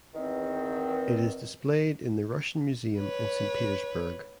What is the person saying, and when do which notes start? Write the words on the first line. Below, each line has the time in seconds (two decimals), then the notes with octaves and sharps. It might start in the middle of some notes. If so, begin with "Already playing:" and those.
It is displayed in the Russian Museum in Saint Petersburg.
0.15 E2 D#3 C4
2.99 B4 C#5